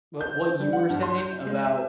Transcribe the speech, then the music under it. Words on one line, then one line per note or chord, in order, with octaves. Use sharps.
wh what you were saying about
G6
G3
F#5
G2
C6
G6
G#3
E5